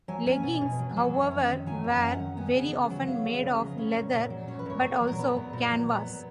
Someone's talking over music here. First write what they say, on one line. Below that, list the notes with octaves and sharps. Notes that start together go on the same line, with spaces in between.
Leggings, however, were very often made of leather, but also canvas.
F#3 G#5
C#4 G#5
B2
B2
F#3
F#3
F#2
C#4
D#3
F#3 G#5
F#2
F#5
C#4
F#5
D#3
B3 G#5
C#3
C#3
F#3
B3 F5
C#3
C#3
F#3
D#5
C#4 C#5
A#2
A#2
F#3
C#4 C#5
B4
A#2 C#5
A#2
F#3
A#4
B3 B4
A#2
A#2
F#3
B3
A#2